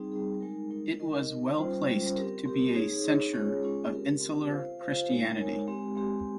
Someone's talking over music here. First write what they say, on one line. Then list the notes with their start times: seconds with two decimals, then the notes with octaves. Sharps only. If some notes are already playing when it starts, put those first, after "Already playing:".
It was well placed to be a centre of Insular Christianity.
Already playing: G3 C4 D#4 G#4
0.12 G3 C4 D#4 G#4
0.41 G#3 D#4 A#4
0.70 G#3 D#4 A#4
0.99 D#4 A#4 D#5
1.29 D#4 A#4 D#5
1.58 G3 C#4 F4 C5
1.87 G3 C#4 F4 C5
2.16 C4 G4 A#4
2.46 C4 G4 A#4
2.75 D#4 G#4 C#5
3.04 D#4 G#4 C#5
3.33 G#3 C#4 F4 G#4 C#5
3.62 G#3 C#4 F4 G#4 C#5
3.92 C4 G4 A#4
4.21 C4 G4 A#4
4.50 F4 C5 F5
4.79 F4 C5 F5
5.09 G#3 D#4 A#4 C#5
5.38 G#3 D#4 A#4 C#5
5.67 G#3 C4 G4
5.96 G#3 C4 G4